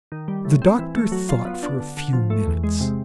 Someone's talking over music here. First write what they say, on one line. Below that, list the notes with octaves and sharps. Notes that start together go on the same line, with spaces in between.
The doctor thought for a few minutes.
D#3
G3
A2
C4
E3
A3
F#3
F4
B3
D4
D3
D3
F3
A3
E2
G#3
C3